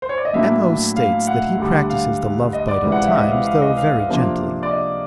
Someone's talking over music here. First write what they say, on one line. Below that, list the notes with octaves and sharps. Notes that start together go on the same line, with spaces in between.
M.O. states that he practises the love-bite at times, though very gently.
C5
C#5
D5
D#5
A2 F#3 A#3 D4 E5
F5
F#5
D2 D3 G3
F5
D#5
D5
C#2 C3 E3
F#5
F5
E5
D#5
F5
F5
D#5
F5
F5
C3 F3 A#3 D4
D5
D#5